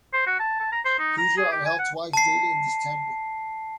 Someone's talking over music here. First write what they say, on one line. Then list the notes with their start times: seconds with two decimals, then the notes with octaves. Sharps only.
Puja are held twice daily in this temple.
0.13 C5
0.27 F#4
0.39 A5
0.60 A5
0.72 A#5
0.85 C5
0.99 D#4
1.18 A#5
1.37 G#4
1.52 G4
1.65 G#5
1.79 F#5
2.13 A5 C7